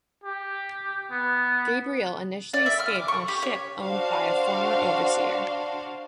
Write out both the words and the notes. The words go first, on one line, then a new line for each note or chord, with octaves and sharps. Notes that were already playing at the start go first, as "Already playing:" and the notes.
Gabriel initially escaped on a ship owned by a former overseer.
G4
B3
D5
E5
F6
D6
C#6
G4
C#5
D4 F#4 C5 F5